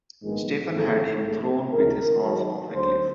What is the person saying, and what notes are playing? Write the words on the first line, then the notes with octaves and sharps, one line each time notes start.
Stephen had him thrown with his horse off a cliff.
A#1 G#2 D#3 G#3 B3
G#1 G#2 F3 A3 C4 A4
A#1 G#2 F3 A3
D2 C#3 E3 G#3 C4 A#4
G#2 D#3 F#3
D2 D3 F#3 C5